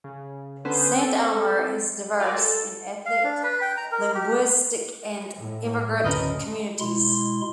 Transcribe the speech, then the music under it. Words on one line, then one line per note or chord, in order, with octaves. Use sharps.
Saint-Omer is diverse in ethnic, linguistic and immigrant communities.
C#3
D3 B3 C#4 B4 C5
C4 A4
F4 F#4 G#4 A#4 D5
A4
F5
D4
B4
G5
A#5
A#4
G4
A2
F#1 D2 C#4 A#4 B4 D#5
B2 G#3 E4 C6